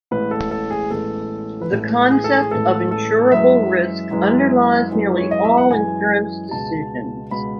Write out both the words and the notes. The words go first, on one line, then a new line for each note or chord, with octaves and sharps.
The concept of insurable risk underlies nearly all insurance decisions.
A1 A2 G#3 B3 B4
A4
A4
G#4
A1 A2 G#3 B3 A4
B4
A1 A2 G#3 B3 A4
G#4
A4
G#4
A1 A2 G#3 B3 A4
A4
F#2 E3 G#3 E5
F#2 E3 G#3
F#2 E3 G#3
C#5
D#5
E5
F#5
F#2 E3 G#3 G#5
C#2 B2 G#3 A5
C#2 B2 G#3 B5